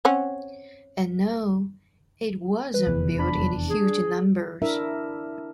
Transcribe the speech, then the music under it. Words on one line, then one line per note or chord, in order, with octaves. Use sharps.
And, no, it wasn't built in huge numbers.
C4 C#4 F#5
E3 B4
F1 E2
D4 B5
G#4
D4 E4 A#4 E5